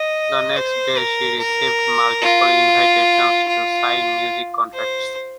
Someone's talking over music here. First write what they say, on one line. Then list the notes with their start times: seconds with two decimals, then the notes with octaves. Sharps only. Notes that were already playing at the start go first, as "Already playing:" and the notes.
The next day she received multiple invitations to sign music contracts.
Already playing: D#5
0.56 C5
0.98 A#4
1.40 A#4
2.22 F4
3.48 F4
4.73 C5